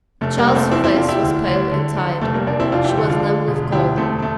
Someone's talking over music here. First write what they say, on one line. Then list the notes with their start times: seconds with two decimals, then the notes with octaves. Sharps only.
The child's face was pale and tired, she was numb with cold.
0.21 F1 A3
0.38 G3 A#3
0.46 F1
0.54 A3 C4
0.71 E2 C4 E4
0.84 C4 E4
0.96 F1 D4 F4
1.09 E4 G4
1.22 D2
1.47 D2
1.72 D3
1.96 D3
2.22 F1 A3
2.34 G3 A#3
2.47 F1 A#3 D4
2.60 C4 E4
2.72 F1 D4 F4
2.84 E4 G4
2.97 D3
3.10 D4 F4
3.22 D3
3.48 E1
3.72 D2 E4 G4
3.97 E1 A3 C4
4.22 A3